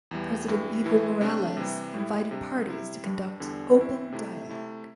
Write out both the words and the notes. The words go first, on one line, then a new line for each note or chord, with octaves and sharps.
President Evo Morales invited parties to conduct "open dialogue".
E2 E3 G3
G2 E3 G3
A2 E3 A3 E4
C3 A3 D4
C3 E3 G3
A2 G3 E4
C3 G3 D4
C3 G3 E4
G2 G3 D4
E2 D3 G3 D4
G2 E3 C4 E4
C3 A3 E4
C3 A3 E4